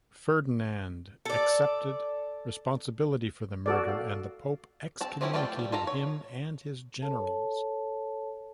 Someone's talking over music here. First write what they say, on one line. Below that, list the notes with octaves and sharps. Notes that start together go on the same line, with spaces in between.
Ferdinand accepted responsibility for the murder, and the pope excommunicated him and his generals.
A4 D5
F#4 A4 D5
F5
C4 A5
F3 F#3 C4 C#4 E4
A3 C4 F4 D5 G5
G3
F4 A4 F5 A#5
C#5
A4 C#5 A5